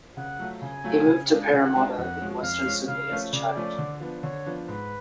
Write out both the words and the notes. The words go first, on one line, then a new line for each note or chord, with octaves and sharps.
He moved to Parramatta, in western Sydney, as a child.
C#3 F#5
F#3 A3 F4
C#3 G#5
F#3 A3 F4
C#3
G#3 D4 F4
C#3 F#5
G#3 D4 F4
F2 F#5
F3 G#3 C#4
F2 F5
F3 G#3 C#4
C#3 F5
F3 A3 C#4 F4
C#3 D5
F3 A3 C#4 F4
D3
F3 B3 D4
D3 C#5
F3 B3 D4
G#2 B4